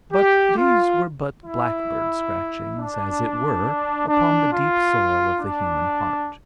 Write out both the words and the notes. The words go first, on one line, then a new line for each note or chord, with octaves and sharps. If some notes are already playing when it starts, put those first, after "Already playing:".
But these were but blackbird-scratchings, as it were, upon the deep soil of the human heart.
G4
F4
E4
D4
D4
F4
D4